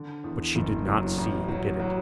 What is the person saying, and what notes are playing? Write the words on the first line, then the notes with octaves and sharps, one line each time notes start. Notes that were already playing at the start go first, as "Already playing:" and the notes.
But she did not see who did it.
Already playing: D3
E2
F#1
F#3
A1
F#3
F#3